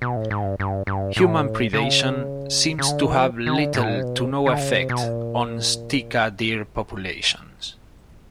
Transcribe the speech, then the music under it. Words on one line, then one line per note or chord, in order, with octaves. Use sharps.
Human predation seems to have little to no effect on Sitka deer populations.
B2
A2
G#2
G2
G2
G2
A2
C#3
C#3
D3
D#3
F3
D#3
D3
A2
A#2
C3
B2
C3
D3
C#3
C3
B2
A#2